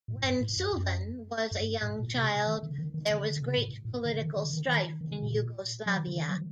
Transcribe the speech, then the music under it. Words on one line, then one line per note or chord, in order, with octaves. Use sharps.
When Suvin was a young child, there was great political strife in Yugoslavia.
A2
G2
A2
G2
F#2
G2
A2
A#2
C3
D#3
D3
D#3
D#3
D3
D3
C3
A2
A2
D3
D#3
D3
D#3
D#3
D#3
D3
A#2
F#3
D#3
D3
D#3
F#3